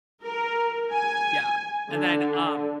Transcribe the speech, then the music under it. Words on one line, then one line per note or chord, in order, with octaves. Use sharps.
Yeah, and then, um
A#4
G#5
D3